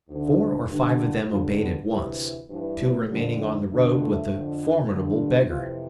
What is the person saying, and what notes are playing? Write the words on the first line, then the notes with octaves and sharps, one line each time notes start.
Four or five of them obeyed at once, two remaining on the road with the formidable beggar.
D2 D3
G2 D3
G2 D3 F3
B3
D2 C3 E3 G3
G2 E3 F3
F3
F2 D3 G3
A3
F2 D3 A3
A3
F2 D3
G2 D3
F2 C3 E3 F4